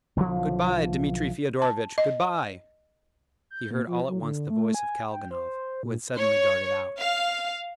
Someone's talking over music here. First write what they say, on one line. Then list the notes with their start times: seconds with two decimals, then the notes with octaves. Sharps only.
"Good-by, Dmitri Fyodorovitch, good-by!" he heard all at once the voice of Kalganov, who had suddenly darted out.
0.16 B1 D3 E3 F3
1.62 A5
1.98 D#5
3.50 G6
3.71 A#2
3.87 F3
4.08 F#3
4.21 D3
4.50 A3
4.74 G#5
5.11 G5
5.31 C5
5.83 A#2
6.18 C#5
6.97 F5